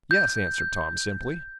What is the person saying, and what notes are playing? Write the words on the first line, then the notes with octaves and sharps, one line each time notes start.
"Yes," answered Tom, simply.
G6